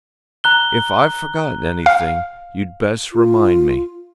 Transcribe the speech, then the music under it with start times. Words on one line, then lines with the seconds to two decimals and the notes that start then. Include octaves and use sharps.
"If I've forgotten anything you'd best remind me."
0.44 A#5 F#6 G7
1.86 F5
3.13 F4